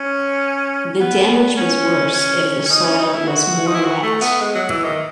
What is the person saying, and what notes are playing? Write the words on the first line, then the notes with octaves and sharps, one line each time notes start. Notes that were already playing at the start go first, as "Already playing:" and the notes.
The damage was worse if the soil was more wet.
Already playing: C#4
B3
C#4
C#4
C#4
D#4
C#4
D#4
E4
F#4
D#4
E4
F#4
A3
B3
G#3
F#3
E3
D#3